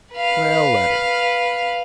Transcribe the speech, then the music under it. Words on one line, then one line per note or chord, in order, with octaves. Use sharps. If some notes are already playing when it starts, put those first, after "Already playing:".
"Well, let him."
B4 F5